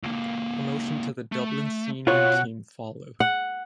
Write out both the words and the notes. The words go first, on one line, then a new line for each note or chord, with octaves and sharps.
Promotion to the Dublin senior team followed.
C#2 A#3
A3
B2 F4 C#5 F#5
F#5